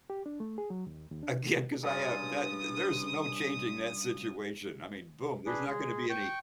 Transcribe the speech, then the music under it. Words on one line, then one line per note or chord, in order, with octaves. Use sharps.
again, 'cause I ha that there's no changing that situation, I mean, boom, there's not gonna be any
G4
D4
A3
G#4
F#3
D#2
D#2
D4
G2 C#3 F4 D#6
D4 G#4 B4
G#3 G#4
G5 C#6